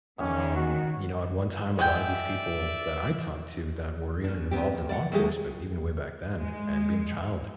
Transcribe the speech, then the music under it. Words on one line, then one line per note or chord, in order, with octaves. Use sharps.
Um, you know, at one time, a lot of these people that I talked to that were even involved in law enforcement, even way back then, and being a child,
D#3 C#4
F#4
G#3 F#4 D5 E5 G5
C#4 D4
B3 C4 G4
E2
D5 E5 F#5
D#2 F#3 G#3 A3 G4 G#4
G#3